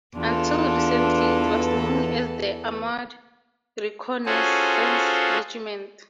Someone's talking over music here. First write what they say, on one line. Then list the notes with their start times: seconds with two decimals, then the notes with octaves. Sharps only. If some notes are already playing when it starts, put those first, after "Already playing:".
Until recently, it was known as the Armoured Reconnaissance Regiment.
0.16 E2 E3 D4 F4 A4
4.26 C#4 F4 F#4 G#4 A4 C5